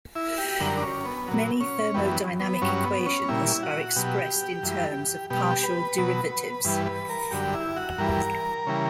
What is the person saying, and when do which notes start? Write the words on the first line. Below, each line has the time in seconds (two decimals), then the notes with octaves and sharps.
Many thermodynamic equations are expressed in terms of partial derivatives.
0.15 E4
0.38 G4
0.60 F#2 D3 G3 A#4
0.77 D4
0.83 C#4
1.05 B3
1.28 A#2 F#3
1.60 C#4
1.94 F#2 E3 G3 B3
2.40 B3
2.62 G2 F#3 C#4
2.84 B3
3.06 C#4
3.29 A#2 G3 E4
3.63 F#4
3.96 B2 F#3 G4
4.63 F#2 E3 G3
5.30 B2 G3 G4
5.63 B4
5.98 B2 F#3
6.64 G2 E3 G3 B4
6.86 B4
7.09 A#4
7.31 F#2 D3 G3 G4
7.54 E4
7.76 F#4
7.98 G2 E3 G3 A#4
8.67 C#3 E3 G3